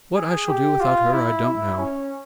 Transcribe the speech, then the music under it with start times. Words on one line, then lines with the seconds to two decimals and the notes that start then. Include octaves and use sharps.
"What I shall do without her I don't know."
0.15 G#4
0.48 G4
0.80 F4
1.13 E4
1.46 E4
1.77 C#4